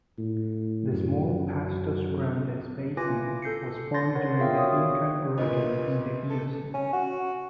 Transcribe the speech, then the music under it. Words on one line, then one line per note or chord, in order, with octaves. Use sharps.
The small Pastos Grandes Basin was formed during the Incan orogeny in the Eocene.
A2
F#2
E4 F4 B4 G#5 D6 A#6
A4 G6 C7 C#7
C6 G6 A6 A#6 C7
A#4 C#5 F#5
F4 G#4 A#4 E5 F5 G5
F#4 C#5 D5 D#6
G1 A#2 B4 D#5
A4
C#4
F#4